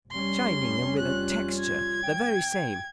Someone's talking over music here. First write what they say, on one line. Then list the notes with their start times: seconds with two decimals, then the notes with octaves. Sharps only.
Shining and with a texture--the very same.
0.11 F1 G3 C#4 C6
0.99 F4 F#6
1.60 G#6
2.04 G5